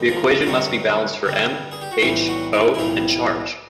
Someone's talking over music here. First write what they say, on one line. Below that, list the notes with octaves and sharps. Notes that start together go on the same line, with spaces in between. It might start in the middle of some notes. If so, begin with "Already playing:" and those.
The equation must be balanced for M, H, O and charge.
Already playing: G2 D#3 G#3 B3
F3 F4
F4
G2 D3 F#3 G3 F#4
G2 D3 G3
G#4
G4
F#4
B1 A2 E3 F3 G3 F4
F#3 F#4
E4
E4
B1 A2 E3 F3 G3 F4